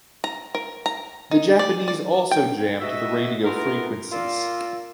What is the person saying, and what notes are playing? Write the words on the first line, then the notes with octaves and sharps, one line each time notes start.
The Japanese also jammed the radio frequencies.
A#5
A#4
A#5
D#4
D5
D5
G5
F#4 D#5 E5
A3 B3 D#4 F4 A#4
A#2 F4 A#4 D5 C6 E6